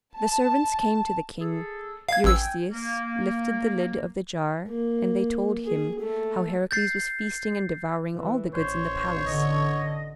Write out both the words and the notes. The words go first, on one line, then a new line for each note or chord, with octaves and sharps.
The servants came to the king; Eurystheus lifted the lid of the jar and they told him how Heracles was feasting and devouring all the goods in the palace.
A5
G#4 A4
F5 G#6
A1 G5 G#5 E6
A#3
A#3
G#4
A3
G6 A6 C7
E3
A1 C5 C#5
D3 D#5